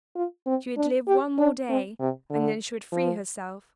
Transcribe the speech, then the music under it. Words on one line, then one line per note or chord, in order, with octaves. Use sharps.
She would live one more day, and then she would free herself.
F4
C4
D4
G4
D4
C4
C3
D3
F3